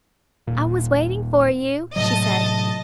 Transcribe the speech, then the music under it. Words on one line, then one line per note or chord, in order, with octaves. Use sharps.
"I was waiting for you," she said.
D#1 A#2
A2 C3 F#3 D#5 A5